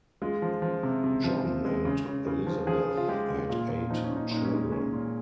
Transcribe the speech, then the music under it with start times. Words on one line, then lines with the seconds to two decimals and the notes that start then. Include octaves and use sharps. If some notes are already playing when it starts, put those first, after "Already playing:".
John and Elizabeth had eight children.
0.22 G#3 F4
0.42 F3
0.62 F3
0.83 C3
1.04 C3
1.24 F3
1.45 F3
1.65 G#3
1.85 C#3
2.06 C#3
2.27 C#3
2.47 F3
2.67 F3 G#4
2.88 C#3
2.97 F4
3.08 G#3 G4
3.29 C#3
3.49 A#2 F4
3.69 A#2
3.90 F3 D#4
4.04 C#4
4.11 A#2
4.16 D#4
4.31 A#2 D#4
4.45 C#4
4.53 G#3
4.72 A#2 C#4
4.93 A#2